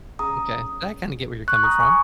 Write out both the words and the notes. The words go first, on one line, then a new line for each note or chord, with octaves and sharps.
M'kay, I kinda get where you're coming from.
C#4 G#4 A#5 D#6
C#6 F#6
A#5 D#6
G#5 C#6